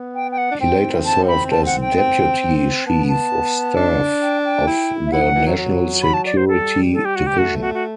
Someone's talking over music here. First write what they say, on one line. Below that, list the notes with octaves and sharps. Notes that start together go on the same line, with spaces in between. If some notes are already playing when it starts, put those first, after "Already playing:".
He later served as deputy chief of staff of the National Security Division.
Already playing: B3
G5
G5
F#5
D4
C4 G5
A5
B5
A5
F#5
G5
C4
B3 A5
A5
D4
G5
G5
E4
E5
E4 F#5
F#3
E3
F#3
F#3
B5
A5
D5
C5
G3 A4
A4
G4
F#4
G4
A3 F#4
F#4
F#4